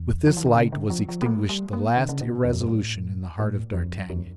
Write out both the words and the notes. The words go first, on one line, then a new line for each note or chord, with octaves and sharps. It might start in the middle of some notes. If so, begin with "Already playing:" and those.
With this light was extinguished the last irresolution in the heart of d'Artagnan.
Already playing: E2
F3
E3
D3
C#3
D3
F3
F3
A#3
A3
G3
A#3
D3
C#3
A#2
E2
F2
G2
A2
A2
F2
F2